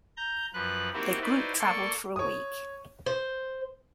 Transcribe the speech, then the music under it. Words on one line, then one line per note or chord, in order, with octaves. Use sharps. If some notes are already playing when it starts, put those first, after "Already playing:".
They group traveled for a week.
A#5 G6
F#2 F3 B4 F#6
A#3 C4 D#4 E4 F#4 G4
D#4 E4 F#4 B4 C5 D5
A#3 A4 D5 C6 C#6
C#5 D#6
C5